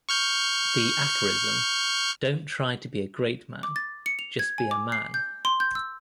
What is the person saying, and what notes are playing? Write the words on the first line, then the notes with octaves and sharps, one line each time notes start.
The aphorism Don't try to be a great man, just be a man.
C#6 F6 G6
D6
A6
C#7
F7
G#6
G#5
D6
C7
G6
C6
G6
E6